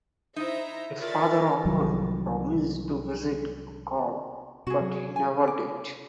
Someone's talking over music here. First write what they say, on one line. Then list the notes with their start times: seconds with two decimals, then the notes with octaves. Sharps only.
His father often promised to visit or call, but he never did.
0.36 D#4 E4 C5 E5 A#5
1.00 F4 A#4 C#5 D5 E5 A6
1.65 C2 D#3 F3 F#3
4.67 C3 F#4 G#4
4.81 F#3
5.16 G#5
5.48 D6